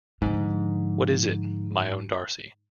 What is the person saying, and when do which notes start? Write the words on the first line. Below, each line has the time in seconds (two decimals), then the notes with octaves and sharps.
What is it, my own Darcey?
0.22 G#2 D3 F3